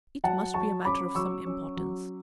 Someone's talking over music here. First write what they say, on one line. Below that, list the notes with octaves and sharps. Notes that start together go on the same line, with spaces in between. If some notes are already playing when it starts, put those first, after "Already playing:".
It must be a matter of some importance.
F#3 F#5 A5
F#3 A5 C#6
C#4 B5 D6
F#3 C#6 E6
C#4
F#3